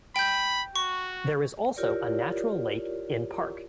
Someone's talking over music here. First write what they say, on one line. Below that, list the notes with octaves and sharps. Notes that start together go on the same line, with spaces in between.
There is also a natural lake in park.
G5 B5 G6
F#4 C#6
E4 F4 G4 A#4 C#5 D5